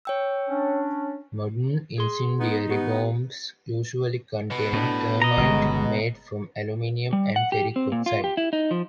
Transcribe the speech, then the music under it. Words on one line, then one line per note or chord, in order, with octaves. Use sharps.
Modern incendiary bombs usually contain thermite, made from aluminium and ferric oxide.
C#5 G5 E6
C#4 D4
G#4 C6
B3 D#4
B3 G4
B2 B4
A2 D4
D#5 A#5
G1 C#3 G#3
G#3
G3
F#5
G4
C4
A#2
F4
G4
E4
D#4
F3